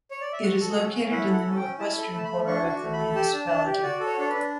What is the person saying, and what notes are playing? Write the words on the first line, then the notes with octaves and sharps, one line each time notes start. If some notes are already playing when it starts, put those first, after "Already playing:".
It is located in the northwestern corner of the municipality.
C#5
D5
E5
F#4 F#5
A4
C#4
C#4
E4 F#5
A4
F#5
C#4
G5
C#4
E4 A5
A4
B5
A3 A5
B5
A3
D4 C#6
F#4
C#6
A3
B5
A4
G4 A5
D4
D4
G4
F#4 D5
A4
C#5
D4 C#5
D4 B4